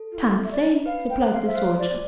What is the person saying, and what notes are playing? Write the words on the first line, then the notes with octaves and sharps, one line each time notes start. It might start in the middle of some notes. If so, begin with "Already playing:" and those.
"Can't say," replied the soldier.
Already playing: A4
F4
E4
E5
D5
B4 F5
G5
C5
F5
E5
C5 F5
D5
D5